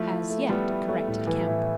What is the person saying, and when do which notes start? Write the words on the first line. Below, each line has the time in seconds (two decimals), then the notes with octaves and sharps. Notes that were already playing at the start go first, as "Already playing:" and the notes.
"As yet," corrected Kemp.
Already playing: F3 A3 E4
0.10 E4
0.30 A3
0.49 G3 A3 B3
0.69 A3
0.89 A3
1.08 A2
1.27 E3
1.47 A2